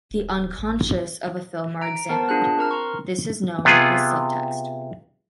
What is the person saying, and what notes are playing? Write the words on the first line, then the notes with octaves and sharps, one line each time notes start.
The 'unconscious' of a film are examined; this is known as subtext.
D1
A1
A#5 D7
B3 A#4 C5 A5
D4 F4 G#4 A5 F#6
C4 A#4 A#5 F6
A#5 C6 C#6
C3 B3 F4 G#4